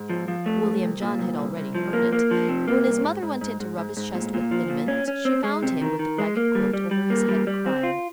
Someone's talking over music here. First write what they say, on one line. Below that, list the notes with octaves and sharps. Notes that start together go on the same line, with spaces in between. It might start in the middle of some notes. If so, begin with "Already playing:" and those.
William John had already heard it, and when his mother went in to rub his chest with liniment, she found him with the ragged quilt over his head crying.
Already playing: G#2
F3
F3
A3
G#2
C2
A#2
C2
C2
C2
F3
A#3
A#3
F3
C3
A#3
C2
G#2
G#2
G#2
G#2
G#2
G#2
A#2
A#2
F3
A#2
C#4
C#4
C4
G#3
C3
D#3
D#3
G#3
A#3
G3
G3
G3
A#3
G3
G3
C4
F4